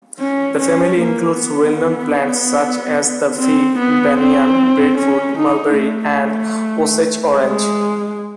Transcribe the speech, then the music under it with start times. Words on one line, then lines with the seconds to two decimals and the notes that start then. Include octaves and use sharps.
The family includes well-known plants such as the fig, banyan, breadfruit, mulberry, and Osage-orange.
0.19 C#4
0.59 C#4
0.99 A#3
1.39 B3
3.38 C4
3.79 B3
4.19 C4
4.98 C#4
5.38 D#4
5.78 A3
7.38 G#3